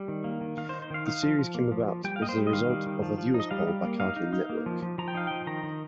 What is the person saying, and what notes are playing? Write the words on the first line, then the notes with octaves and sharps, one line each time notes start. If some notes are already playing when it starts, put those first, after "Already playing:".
The series came about as the result of a viewer's poll by Cartoon Network.
Already playing: G3
D#3
A#3
D#3
D#3 F5
C5
D#4
C5
D#3 F5
D#4 F5
F3
F3
A#3
F3
F3
G3 G5
F5
A#3 D#5
C5
G3
D#5
D#3 F5
G3
D#3
F3
F3
D#4
D#5
G3 F5
G3
A#3
D#4 F5
D#4
D#4
A#3
F3
F3
F3 A#5
G5
D#4 F5
F3 G5
D#3 A#5
D#3